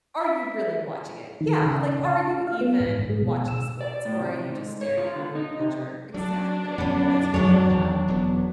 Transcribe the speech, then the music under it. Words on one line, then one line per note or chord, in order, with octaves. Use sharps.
Are you really watching it? Yeah, like, are you even watching sports, or are you just staring at a moving picture? Exactly, and I told them that,
E5
D#3
C#3
A5
F4
F5
B3
G#2
G#3
B2
E6
D5
A2
C3
G#2
C#5
F4
D3
D#4
C3
F#3 D4
F#2 B2 D3 B3 C#4
F2 G#2 C3 F#3 C#5
E2 D#3
E1 E2 B3